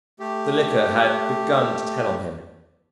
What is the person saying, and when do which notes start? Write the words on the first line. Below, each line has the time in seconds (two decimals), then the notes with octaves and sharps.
The liquor had begun to tell on him.
0.20 A3 G4